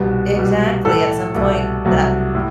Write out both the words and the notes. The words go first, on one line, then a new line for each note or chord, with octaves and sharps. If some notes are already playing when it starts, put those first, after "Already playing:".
exactly, at some point that
Already playing: C2 B2 G3
C2 B2 G3
A2 E3 A3 A4
C2 B2 A3
C2 C3 F#3 A3
A2